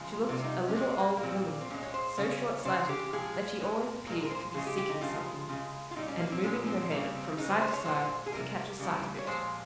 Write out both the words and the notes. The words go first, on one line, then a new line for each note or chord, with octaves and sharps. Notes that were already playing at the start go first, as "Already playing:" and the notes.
She looked a little old woman, so short-sighted that she always appeared to be seeking something, and moving her head from side to side to catch a sight of it.
Already playing: C#3 F3 G#3
C3 G3 F4
D#4
C#4
A#2 G#3 C4
A#3
A#3
A#2 G3 C4
C4
A#2 G#3 C#4
C#5
C5
C#3 G3 C#5
C#5
C#3 G#3 C5
G4
A#2 F3 G#3 G#4
A#2 G#3
A#2 F3 G#3 A#4
A#4
C5
C#3 G#3 G#4
G4
G4
D#4
C#3 F3 G#3 F4
C#3 G#3
F4
A#2 G3 D#4
C#4
A#3
C4
A#2 F3 G#3 C#4
C4
C#3 G3 A#3
C4
C#3 G#3 D#4
C5
C5
C#5
A#2 G#3 C5
G#4
C3 G3 A#4
C#3 G3
C#5
A#2 F3 G#3 C5